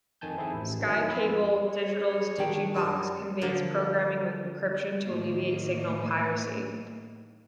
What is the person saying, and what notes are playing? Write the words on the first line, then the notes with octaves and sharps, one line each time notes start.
SkyCable Digital's Digibox conveys programming with encryption to alleviate signal piracy.
F2 D#3 G#5 A5 G6
C4 E4 G#4 A4
A1
D#3 F#3
D#4 E4
F2 F4 G#4 F5 B5 E6
G#4 C#5
D#3 D4 G5
F#2 G3
D3 F3 A#3
A2 D#3 A#3